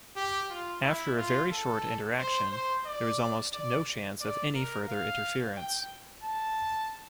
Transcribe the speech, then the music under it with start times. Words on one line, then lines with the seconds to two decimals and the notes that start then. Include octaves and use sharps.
After a very short interaction, there is almost no chance of any further interference.
0.16 G4
0.50 F4
0.84 E4
1.18 F4
1.52 A4
2.19 C5
2.52 C5
2.86 D5
3.54 D5
4.21 D5
4.55 A#4
4.89 F5
5.57 G5
6.24 A5